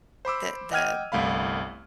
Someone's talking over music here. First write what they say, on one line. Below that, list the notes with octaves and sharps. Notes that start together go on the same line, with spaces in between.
the the
C5 B5 D6 E6
D#5 F#5 G5 F6 G#6 D#7
G1 C2 A3 F5 B5